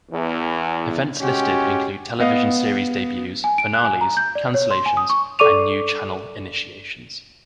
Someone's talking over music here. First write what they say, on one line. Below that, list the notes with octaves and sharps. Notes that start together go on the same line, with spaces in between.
Events listed include television series debuts, finales, cancellations, and new channel initiations.
E2
G#3 C#4 F#4 G4
B3 D#5 F5
G#5
D7
F#6
G#5
A#5
G6
D5
C#5
C6
G#5
D#6
C#6
A4 D5 C#6 D6 D#7 F7